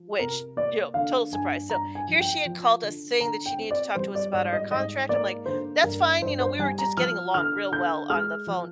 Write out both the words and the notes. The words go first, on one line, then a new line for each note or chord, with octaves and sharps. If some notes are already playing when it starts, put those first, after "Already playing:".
Which, you know, total surprise, so, here she had called us saying that she needed to talk to us about our contract, I'm, like, "That's fine," you know, we were just getting along real well on the phone
Already playing: F3
C3 A#4
A#3 D5
D3 F5
G2 G#5
G2 A#5
G#5
F3
G5
F3
D3
D3 A#5
G5
C4
D5
G3 C5
D5
G#2 D5
D#5
G#2 D#5
A#3 D5
D3 C5
G2 A#4
G2 C5
C5
G3 G#5
A#5
F3 F6
D3 F6
D3 G6
G#3 F6
F3